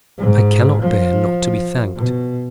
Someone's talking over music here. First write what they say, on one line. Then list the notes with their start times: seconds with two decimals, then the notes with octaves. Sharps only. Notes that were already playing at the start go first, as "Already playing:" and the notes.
I cannot bear not to be thanked.
0.18 G#2
0.81 F3
1.96 B2